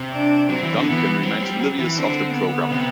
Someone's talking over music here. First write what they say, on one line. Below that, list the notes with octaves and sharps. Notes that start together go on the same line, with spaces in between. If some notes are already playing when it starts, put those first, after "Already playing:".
Duncan remains oblivious of the programming.
Already playing: C3
D4
F#3 C4
E3
D3
E3 B3
F#3 C4
G3
F#3
E3
D3 C4
B3
C3